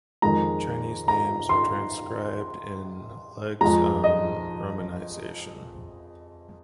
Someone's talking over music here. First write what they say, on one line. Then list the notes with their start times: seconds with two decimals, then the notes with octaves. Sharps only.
Chinese names are transcribed in Legge's own romanisation.
0.22 F2 D#3 G#3 A#5
1.08 A#5
1.49 C6
3.61 F2 F3 G#3 A#5
4.04 D#5